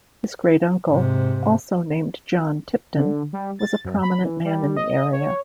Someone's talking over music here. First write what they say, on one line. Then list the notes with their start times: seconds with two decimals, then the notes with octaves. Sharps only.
His great uncle, also named John Tipton, was a prominent man in the area.
0.87 G#2 C3
2.97 D3
3.33 G3
3.59 A6
3.85 F#2
4.02 B5
4.24 E3
4.45 G3
4.77 D#5
5.13 C#5